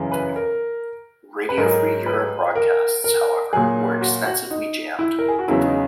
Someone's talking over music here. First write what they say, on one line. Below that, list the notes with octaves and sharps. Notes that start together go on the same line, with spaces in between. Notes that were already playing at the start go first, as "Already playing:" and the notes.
Radio Free Europe broadcasts, however, were extensively jammed.
Already playing: F#2 C#3 E3
B4
A#4
B4
G#2 F#3 A#4
B4
A#4
A#4
A#2 F#3 G#4
F#4
F#4
D#4
E4
A#4
G#4
F#4
E2 C#3 F#3 E4
D#4